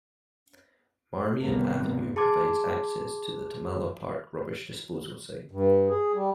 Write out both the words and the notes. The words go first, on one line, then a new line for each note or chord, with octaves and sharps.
Marmion Avenue provides access to the Tamala Park Rubbish Disposal Site.
G#1 C3 G3 A#3 B3
G#4 A5 C6 D6 G#6
G2
G#4
G3